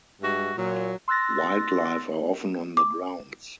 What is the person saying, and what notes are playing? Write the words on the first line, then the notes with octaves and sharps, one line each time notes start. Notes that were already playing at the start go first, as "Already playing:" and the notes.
Wildlife are often on the grounds.
G2 G#3 F#4 E5
A#2 F#3
C6 E6 F#6 A6 A#6
D6